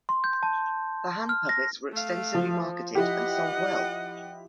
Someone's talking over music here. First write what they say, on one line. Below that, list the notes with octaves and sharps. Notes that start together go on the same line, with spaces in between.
The hand puppets were extensively marketed and sold well.
C6
G6
A5
F6
A#6
A3 F5
F3
F3 E4 G4 D#5 F#5